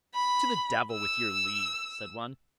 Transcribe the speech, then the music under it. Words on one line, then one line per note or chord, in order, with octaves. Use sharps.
'To the devil with your leave', said one.
B5
E6